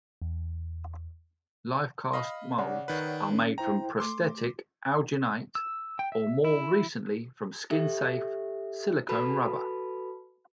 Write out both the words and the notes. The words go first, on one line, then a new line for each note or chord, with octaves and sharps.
Lifecast molds are made from prosthetic alginate or more recently, from skin-safe silicone rubber.
E2
D#5 F5 B5
C#3 C#5 D5 F#5
D#3 B4
C#4
E4 C5 G5 A#5
A3 C6 D6
E6
G5
E5
E4
G4 A4 E5
F#4 A4 B4 A5 B5